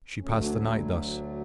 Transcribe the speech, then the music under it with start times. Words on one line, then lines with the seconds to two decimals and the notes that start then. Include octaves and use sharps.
She passed the night thus.
0.22 D2 D3 F#3 A3 C#4
0.44 D4
0.66 E4
0.87 F#4